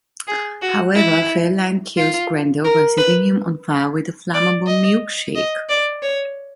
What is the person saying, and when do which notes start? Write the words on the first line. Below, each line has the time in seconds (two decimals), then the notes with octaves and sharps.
However, Fairlane kills Grendel by setting him on fire with a flammable milk shake.
0.27 G#4
0.62 F#4
0.95 E4
1.97 F4
2.64 A#4
2.98 B4
4.34 D5
4.67 D#5
5.35 D#5
5.69 D5
6.02 C#5